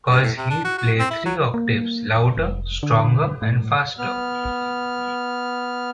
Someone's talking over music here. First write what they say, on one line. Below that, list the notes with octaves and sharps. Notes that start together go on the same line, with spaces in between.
Cause he'd play three octaves, louder, stronger and faster.
G2
A2
C3
D4
F#4
F#4
C4
E4
F#3
A#3
F1
D3
A2
B3 F6